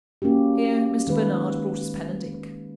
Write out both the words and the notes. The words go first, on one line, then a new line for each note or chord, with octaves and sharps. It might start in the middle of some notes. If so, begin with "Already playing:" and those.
Here Mr. Bernard brought us pen and ink.
A#3 C#4 F#4 G4
D#3 G#3 B4